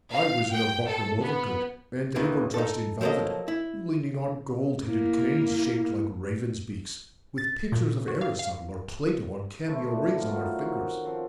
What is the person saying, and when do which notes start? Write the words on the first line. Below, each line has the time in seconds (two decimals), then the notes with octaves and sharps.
I was in a buckram overcoat, and they were dressed in velvet, leaning on gold-headed canes shaped like ravens' beaks, with pictures of Aristotle or Plato on cameo rings on their fingers.
0.13 F5
0.52 G5
0.88 A4
1.23 B3
2.16 D#2 D#3 E3 B4
2.54 D#4 A4
3.01 F3 F#3 A#3 A4 D#5
3.48 E4
4.87 A#3 E4
7.38 A6
7.72 A#2
8.08 F#4
8.21 F5
8.39 F5
9.66 E3 A3 C5
9.93 D4
10.14 F#3 B3 F4
10.31 A2 D#3 A#4
10.57 D#3 C4 F#4
11.04 C#3 F3 C4